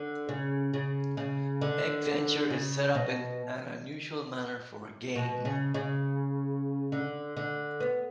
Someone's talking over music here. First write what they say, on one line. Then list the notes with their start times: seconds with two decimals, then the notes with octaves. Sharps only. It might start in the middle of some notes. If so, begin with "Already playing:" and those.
Egg Venture is set up in an unusual manner for a game.
Already playing: D3
0.29 C#3
0.74 C#3
1.17 C#3
1.61 D3
2.50 C#3
2.95 B2
5.15 B2
5.45 C#3
5.74 C#3
6.92 D3
7.37 D3
7.80 B3